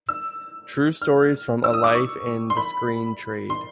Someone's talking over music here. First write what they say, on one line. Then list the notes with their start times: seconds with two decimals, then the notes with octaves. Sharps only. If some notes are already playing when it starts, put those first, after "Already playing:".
True Stories From A Life in the Screen Trade.
0.09 E6
1.02 F6
1.64 E6
1.73 D#6
1.84 D6
1.95 C#6
2.50 C6
2.57 B5
3.50 C6